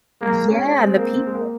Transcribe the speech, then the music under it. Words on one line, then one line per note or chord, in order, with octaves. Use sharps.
Yeah, and the people.
G#3 A#3
C#4
G#3 C4
A#3
G#3
A#3